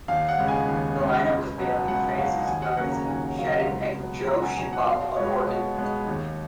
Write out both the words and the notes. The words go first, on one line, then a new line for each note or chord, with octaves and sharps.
The line-up was Bailey, Francis, Larizza, Shedden and Joe Chiofalo on organ.
D#2 F5
F#5
C#3 G#3 B3
G#5
D#2
C#3 G#3 B3
C#2
B2 F#3 B3
C#2 F#5
F#5
B2 F#3 B3 F5
F#5
D#2 G#5
F#5
C#3 F#3 A#3 C#4 F#5
A#5
D#2 G#5
F#5
C#3 F#3 A#3 C#4 F5
F#5
C#2
B2 F#3 B3
C#2 A#5
F#5
G#5
B2 F#3 B3 G#5
F#5
B2 F5
G#3 B3 C#5
B2
G#3 B3
D#2